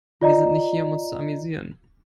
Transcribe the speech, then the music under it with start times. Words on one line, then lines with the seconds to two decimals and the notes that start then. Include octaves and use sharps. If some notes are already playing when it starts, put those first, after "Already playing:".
Wir sind nicht hier, um uns zu amüsieren.
0.21 F4 D5 D#5 A#5